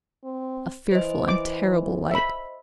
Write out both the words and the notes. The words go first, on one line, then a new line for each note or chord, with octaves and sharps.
A fearful and terrible light!
C4
E3 C5 D#5
D6
E5 B5